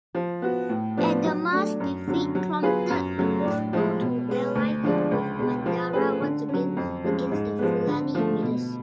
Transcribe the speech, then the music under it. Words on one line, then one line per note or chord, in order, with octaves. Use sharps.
Adama's defeat prompted Borno to ally with Mandara once again against the Fulani invaders.
F3
B3 F#4
A2
F3 B3 D4
F#3
A3 D4
F#2
D3 F#3 C#4
F#3
B3 F4 G#4 B4
F#2
C#3 F#3 A3
A2
F3 G#3
B2
G#3 B3
D2
D3 F3 G#3 D4
C#2
B2 G#3
F3
A3 C#4 G#4 B4
D3
F#3 C#4
F2
F3 G#3 C#4
G#2
F3 G#3 B3
D3
F3 A3
B2